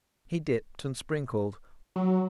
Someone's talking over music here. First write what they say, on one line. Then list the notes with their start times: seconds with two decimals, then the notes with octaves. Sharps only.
He dipped and sprinkled.
1.96 F#3